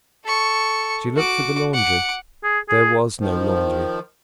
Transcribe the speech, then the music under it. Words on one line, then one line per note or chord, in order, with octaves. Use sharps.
She looked for the laundry; there was no laundry.
A4 C#6
F#4 D6
F#5 D6
G#4
G#4
D#3 F3